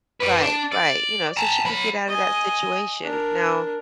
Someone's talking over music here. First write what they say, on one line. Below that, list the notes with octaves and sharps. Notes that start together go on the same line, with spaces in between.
Right, right, you know, so she could get out of that situation. Now,
B4 D5
D4
D5
A5 A#5
F#3 B5
D#5 G#5
D4 A#4